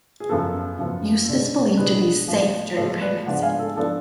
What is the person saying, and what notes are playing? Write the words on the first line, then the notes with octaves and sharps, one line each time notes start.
Use is believed to be safe during pregnancy.
G#4
F#2 F3 B3 A4
F#2 F3 B3
B2 G#3 D4
B2 G#3 D4 G#4 B4
A2 F3 G#3 B3
A2 F3 G#3 B3 A4 C#5
B4 D5
G#2 F3 B3 D4 D5 F#5
F5 G#5
A4
F3 B3 D4 A4